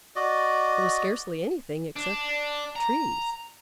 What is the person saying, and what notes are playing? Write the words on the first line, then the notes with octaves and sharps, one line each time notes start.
There was scarcely anything except Trees.
F#4 D5 D#5
D4
A#5